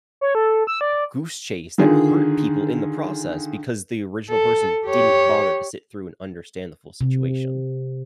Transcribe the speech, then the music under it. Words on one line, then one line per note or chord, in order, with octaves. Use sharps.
goose chase that hurt people in the process because the original person didn't bother to sit through and understand the full situation.
C#5
A4
E6
D5
D3 D#3 F4 G#4
A4
G4 C#5
C3